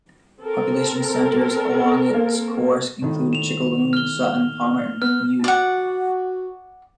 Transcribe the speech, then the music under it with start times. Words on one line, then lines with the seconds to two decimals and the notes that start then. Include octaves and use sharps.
Population centers along its course include Chickaloon, Sutton, Palmer, and Butte.
0.40 C4 A4 A#4
2.14 A#3
3.02 A2 D#3
3.33 E7 F7
3.93 F6 G7
5.02 B3 F6
5.44 F#4 D5 F#5